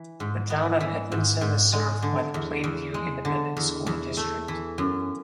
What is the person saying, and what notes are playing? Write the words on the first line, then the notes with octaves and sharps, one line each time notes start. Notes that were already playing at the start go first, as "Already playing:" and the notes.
The Town of Edmonson is served by the Plainview Independent School District.
Already playing: E3
G#2
B3
E3
G#2
G#2
G#3
D3
E2
E2
G#3
D3
E2
E2
A3
E3
F#2